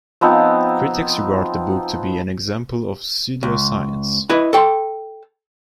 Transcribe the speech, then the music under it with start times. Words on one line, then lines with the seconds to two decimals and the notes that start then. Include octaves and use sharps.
Critics regard the book to be an example of pseudoscience.
0.21 F3 B3 C4 D#4
3.43 C#2
4.30 E4 B4 D#5 B5
4.53 A4 G5 C6